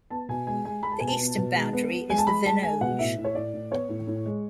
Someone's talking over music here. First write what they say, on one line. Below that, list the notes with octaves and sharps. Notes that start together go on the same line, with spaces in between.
The eastern boundary is the Venoge.
B3 A5
B2 G#5
G#3 G#5
G#3 G#5
G#3 B5
A5
B2 G#5
A5
B3
B2
G#3
B3
B3
G#3 G#5
A5
G#3 B5
G#3 A5
G#3 G#5
B2 F#5
A2 E5
A2
C#5
A2 D5
A2
B3 C#5
A2
A2
G#3